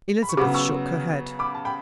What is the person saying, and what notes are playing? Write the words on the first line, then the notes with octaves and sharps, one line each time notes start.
Elizabeth shook her head.
B5
C#6
C#3 F#3 B3 B5 D6
C#6 E6
B5 D6
A5
G5 B5